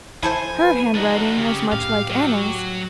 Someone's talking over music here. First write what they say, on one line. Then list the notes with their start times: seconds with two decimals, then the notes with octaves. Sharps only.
Her handwriting was much like Anna's.
0.23 F3 E4 A4 C5 G#5
0.62 B4
0.95 D4 D#4 F#4
1.38 C#3 G4
1.72 A2 F5
2.10 F#3